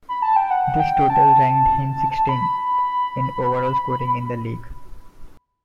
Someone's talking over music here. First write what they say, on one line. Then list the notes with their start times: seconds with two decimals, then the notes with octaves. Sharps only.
This total ranked him sixteenth in overall scoring in the league.
0.09 B5
0.22 A5
0.36 G5
0.50 F#5
0.80 G5
1.10 A5
2.29 B5